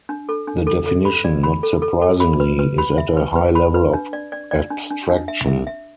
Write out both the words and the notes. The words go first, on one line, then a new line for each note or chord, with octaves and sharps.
The definition, not surprisingly, is at a high level of abstraction.
D4
A4
D4
A4
A4
B5
D5
B5
A4
A4
A4
B5
B4
B4
B5
E5
B4
B4
B5
B4
D4
D5
D5
D5
D4
D4
D4
E5
E5
E5